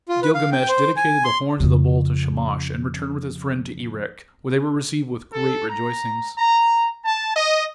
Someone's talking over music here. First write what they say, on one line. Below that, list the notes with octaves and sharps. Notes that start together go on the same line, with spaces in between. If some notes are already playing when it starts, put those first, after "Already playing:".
Gilgamesh dedicated the horns of the bull to Shamash and returned with his friend to Erech, where they were received with great rejoicings.
F4
B4
F5
G5
C5
G#5
C6
F2 C#3
A4
A#5
A#5
A5
D#5